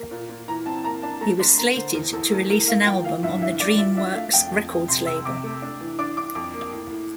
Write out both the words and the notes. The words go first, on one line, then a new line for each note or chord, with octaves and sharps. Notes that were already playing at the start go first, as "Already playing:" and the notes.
He was slated to release an album on the DreamWorks Records label.
Already playing: A#3
A#2
A#2
E3 A#5
C4 A5
A#3 A#5
D4 A5
A3 A#5
D4 C6
A#3 A#5
D3 C5
E2 A#4
E2 A4
A3 A#4
A3 A#4
A#3 F5
F3 G5
E3 F5
G2 E5
E3 E5
E3 D5
F4 E5
D4 E5
A3 F5
F2 G5
F2
F2
C3 C6
C3 E6
C3 D6
A3
D4
E3
D4 D6
D4 D6
F2 D6
A#3
A2
A2